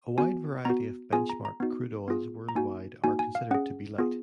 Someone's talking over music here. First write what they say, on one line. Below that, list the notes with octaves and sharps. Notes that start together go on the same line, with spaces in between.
A wide variety of benchmark crude oils worldwide are considered to be light.
B3 F#4 G#5
B3 F#4 A#5
B3 F4 G#4 G#5
A#5
A#5
B3 D#4 F#4
B3 F4 G#4
A#5
A#3 D#4 F#4 G#5
A#3 D#4 F#4 G#5
G#5
F5
C#4 G#4 F#5
B3 F4 G#4